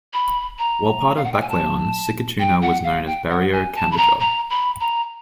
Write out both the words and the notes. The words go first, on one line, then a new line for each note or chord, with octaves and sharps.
While part of Baclayon, Sikatuna was known as barrio Cambojod.
B5
A#5
F5
F#5
G5
G#5
A5
G5
F#5
F5
G5
F#5
G#5
A5
B5
A#5
A#5
B5
A#5